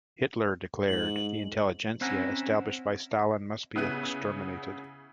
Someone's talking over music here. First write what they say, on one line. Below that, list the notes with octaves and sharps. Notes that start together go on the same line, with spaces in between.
Hitler declared: The intelligentsia established by Stalin must be exterminated.
G#2 F#7
C4 C#4 E4 F#5 G#5 A#5
C#3 B3 E4 F#6 D#7